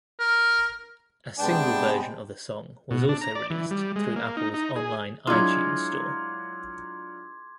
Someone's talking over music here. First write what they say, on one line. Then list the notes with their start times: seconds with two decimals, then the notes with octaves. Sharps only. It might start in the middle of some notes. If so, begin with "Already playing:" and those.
A single version of the song was also released through Apple's online iTunes Store.
0.20 A#4
1.38 C3 G#3 B3 D4 G5 A5
2.91 B2
3.09 D4
3.21 A#5
3.35 D5
3.50 E3
3.71 G3
3.96 G#3
4.16 A#3
4.37 D#4
4.54 D#4
4.76 G#4
5.27 F#3 G#3 D4 E4 F4 C6 D6 G#6